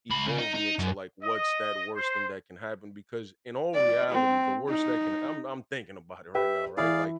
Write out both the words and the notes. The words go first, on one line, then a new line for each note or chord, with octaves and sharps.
evolving it to, like, what's that worst thing that can happen? Because in all reality, the worst that can I'm I'm thinking about it right now, right? Like
C#2 B5
C#3
D#4
D#4
F#2
D#5
C5
D5
C4
D#4
G4 B4 E5 G5
E3 E4 G#4 D5 F5